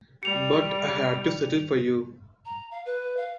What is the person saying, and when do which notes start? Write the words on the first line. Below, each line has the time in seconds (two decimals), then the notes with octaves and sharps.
But I had to settle for you.
0.23 G3 C#7 F7
2.45 A#5
2.71 F5
2.85 B4
3.16 F5